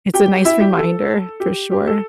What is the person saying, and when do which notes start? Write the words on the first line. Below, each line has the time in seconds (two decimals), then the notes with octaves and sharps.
it's a nice reminder, for sure,
0.14 G4 G5
0.45 E4 E5
0.60 G4
0.77 A4
1.40 G4
1.71 G4
1.87 A4